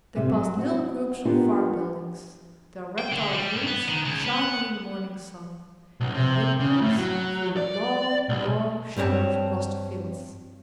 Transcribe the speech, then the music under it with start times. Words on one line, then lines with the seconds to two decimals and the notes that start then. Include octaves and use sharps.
They passed little groups of farm buildings, their red-tiled roofs shining in the morning sun; and the windmills threw long, long shadows across the fields.
0.15 G2 C3
0.29 F#3
0.56 C4 F#4
1.25 B3 D4 F4 G4 A#4
2.99 G5
3.12 D3
3.33 G3
3.55 G2
3.67 B3
3.88 D#3
4.05 C#2
4.24 B3
4.40 F#5
6.00 B1
6.14 C3
6.60 C#3
6.81 A2
6.98 F#3
7.57 D5
8.29 B1
8.96 G2 C4 A#4 C#5 A5